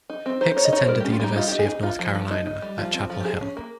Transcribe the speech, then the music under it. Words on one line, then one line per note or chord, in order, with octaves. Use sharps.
Hicks attended the University of North Carolina at Chapel Hill.
D#4
C4
D#4 C5
C5
D#4 C#5
D#5
D#4 C#5
C5
G3 A#4
G4
C#4
F4
G3 D#4
D#4 F4
G4
D#4
G#4
D#4
D#4 F4
F3
F3
D#4
D#4
G3
F3 F4
C4
F3
G4
F3 G#4
C#4
A#3